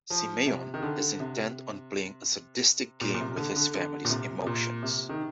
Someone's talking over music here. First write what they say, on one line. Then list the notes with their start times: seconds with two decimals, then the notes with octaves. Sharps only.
Simeon is intent on playing a sadistic game with his family's emotions.
0.10 F3
0.46 C3
0.74 D#3
0.83 D3
1.20 C3
3.01 A#2
3.14 A#2
3.20 C3
3.37 D3
3.56 D3
3.74 D3
4.05 A#2
4.10 C3
4.42 C3
4.47 A#2
4.83 C3
5.09 D#3